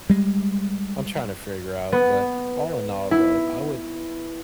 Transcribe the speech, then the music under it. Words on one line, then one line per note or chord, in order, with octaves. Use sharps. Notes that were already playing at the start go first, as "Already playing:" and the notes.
I'm trying to figure out. But all in all, though, I would
G3 G#3
B3
E4